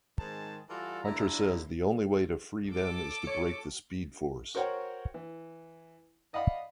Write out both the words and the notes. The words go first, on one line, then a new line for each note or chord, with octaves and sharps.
Hunter says the only way to free them is to break the Speed Force.
G#2 D#3 G#3 C4 A5
E3 G3 F4 F#4 A4
D3 D4 E4 A#5
A4 D6
C#5 C#7
F#4 A#4 C5 C#5 F#5 G5
E3
D5 D#5 F5 F#5 B5 D#6